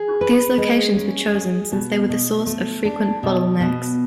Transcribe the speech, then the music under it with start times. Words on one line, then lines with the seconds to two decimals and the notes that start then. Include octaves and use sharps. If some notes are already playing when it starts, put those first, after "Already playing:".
These locations were chosen since they were the source of frequent bottlenecks.
Already playing: G#4
0.21 B4
0.58 G#3
0.96 C#4
1.34 G#4
1.72 B2
2.10 B2
2.47 A3
2.85 D4
3.23 B2
3.60 B2